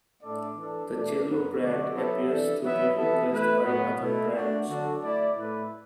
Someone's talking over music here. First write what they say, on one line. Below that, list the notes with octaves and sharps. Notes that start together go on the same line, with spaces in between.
The chello brand appears to be replaced by other brands.
A2 A3 D4 A4 D5
E3 D4 A4
B2 A3 D4 A4 D5
F#2 F#3 B3
D3 F#3 A3 F#4 D5
F#3 B3 E4 A4 E5
E3 D4 A4 E5
F#3 B3 E4 B4 E5
E3 B3 E4 A4 E5
A3 E4 B4
A2 F#3 B3
B2 A3 E4
A3 D4 F#4 A4
D3 F#3 D4 F#4 A4
A3 E4 D5
A2 A3 E4 B4